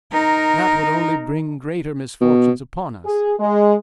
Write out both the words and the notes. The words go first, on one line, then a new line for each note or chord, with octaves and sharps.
"That would only bring greater misfortunes upon us."
D#4 A#4
B2
G#4
G#3